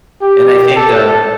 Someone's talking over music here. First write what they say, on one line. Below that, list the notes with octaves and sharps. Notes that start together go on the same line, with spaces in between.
And I think, um
G4
A4